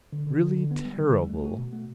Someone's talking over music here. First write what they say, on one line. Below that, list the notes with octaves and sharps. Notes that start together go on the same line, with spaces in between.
Really terrible.
D3
D3
D3
D3
B3
G3
D3
G3
A3
F#4
B2
A3